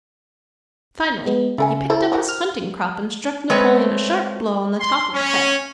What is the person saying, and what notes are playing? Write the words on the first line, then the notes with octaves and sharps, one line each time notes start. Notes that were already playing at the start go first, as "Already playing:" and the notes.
Finally, he picked up his hunting-crop and struck Napoleon a sharp blow on the top of the head.
G#3 B3
C#3 A3 A#4 G#5
A3 E4 A4 C5
F3 F#4 A#4
F6
G#3 A3 C4 B4 C#5
C6
C#4